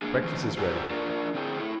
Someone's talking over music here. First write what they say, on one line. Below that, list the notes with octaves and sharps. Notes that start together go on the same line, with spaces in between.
Breakfast is ready.
G#3 A#3 D4 G#4
F2 D#3 C4
F4 G4 A4 D5 F#5 G#5
D4 F4 A#4 D5
D3 C4 E4 G#4 G5
E4 A4